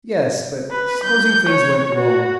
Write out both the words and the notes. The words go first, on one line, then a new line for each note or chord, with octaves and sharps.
"Yes; but supposing things went wrong?"
B4
G6
C#5
F#4